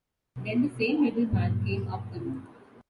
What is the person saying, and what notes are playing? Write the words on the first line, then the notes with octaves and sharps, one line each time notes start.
Then the same little man came up the room.
G2 A#2 F#3